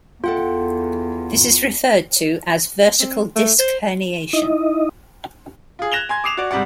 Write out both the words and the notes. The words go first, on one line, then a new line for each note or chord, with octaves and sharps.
This is referred to as "vertical disc herniation".
E2 F4 A4 F#5 G5
C4
A3
C5
D#4 E4 D#5
F4 G#4
F#6 G#6 A#6 E7 F7 G7
G#5 C6 G#6
D6 D#6 C7 E7 F7
F#4 D5
G#2 C3 G3 D5 F#5